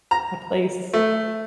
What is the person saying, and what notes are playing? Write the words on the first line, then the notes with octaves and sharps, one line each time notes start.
a place,
A#5
A3